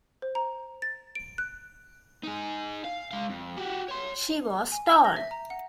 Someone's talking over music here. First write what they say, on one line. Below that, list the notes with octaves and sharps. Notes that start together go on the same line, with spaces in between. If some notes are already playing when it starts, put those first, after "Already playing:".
She was tall.
C5
A#5
A6
D7
F#6
D#4 G#4
F5
G#3 F5
F2
F#4 G4
C#5 C6
G#5
G6
A#6
E5
A#5
F#5